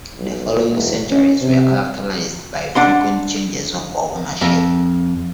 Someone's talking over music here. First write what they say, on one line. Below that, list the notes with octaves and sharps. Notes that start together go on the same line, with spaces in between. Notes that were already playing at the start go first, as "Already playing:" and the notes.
The following centuries were characterized by frequent changes of ownership.
B1
E1
C#4
C3
D4 F#5 C6
F2